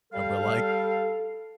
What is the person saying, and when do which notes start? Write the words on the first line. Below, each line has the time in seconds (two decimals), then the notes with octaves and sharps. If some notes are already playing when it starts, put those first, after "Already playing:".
And we're like,
0.13 G3 A4 F5